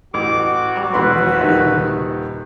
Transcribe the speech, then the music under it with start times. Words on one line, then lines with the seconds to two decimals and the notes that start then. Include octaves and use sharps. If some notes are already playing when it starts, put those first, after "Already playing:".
Oh, man.
0.14 A1 F#4 D6
0.94 E1 B4 B5 C6
1.39 D#1 D#3